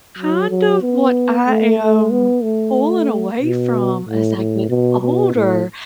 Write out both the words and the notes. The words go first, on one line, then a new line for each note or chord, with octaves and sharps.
kind of what I am pulling away from as I get older
F#3
F#3
B3
A3
A3
B3
A3
B2
A2
A2
B2
B2
A2